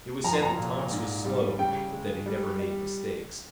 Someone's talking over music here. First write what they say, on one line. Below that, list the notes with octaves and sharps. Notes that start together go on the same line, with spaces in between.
It was said that Thomas was slow, but that he never made mistakes.
F3 A#5
C6
A#5
A#2
G#2
G3
C#3 G5
G#3
G3
G3